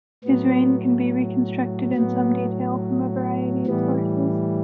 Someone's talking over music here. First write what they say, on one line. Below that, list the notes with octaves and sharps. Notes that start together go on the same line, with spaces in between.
His reign can be reconstructed in some detail from a variety of sources.
A2 F#3 B3
A2 F#3 B3
A2 E3 G3 B3